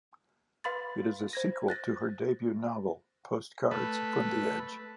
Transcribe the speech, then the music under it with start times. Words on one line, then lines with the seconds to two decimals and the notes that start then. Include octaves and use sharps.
It is a sequel to her debut novel "Postcards from the Edge".
0.64 B4 F5 B5 C6 A6
1.33 C5 G#6 A#6
1.68 F#6 A6 A#6
3.71 A3 B4